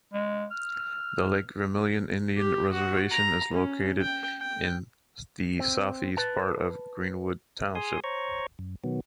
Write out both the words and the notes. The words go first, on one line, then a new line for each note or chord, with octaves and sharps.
The Lake Vermilion Indian Reservation is located in the southeast part of Greenwood Township.
G#3
F6
G4
F#4
A#5
C#4
G5
G5
C4
B4 A5
G#4 G#5 C6 D#6
C5 C#5 A#5 C#6
F#2
B2 D#3 F#3 B3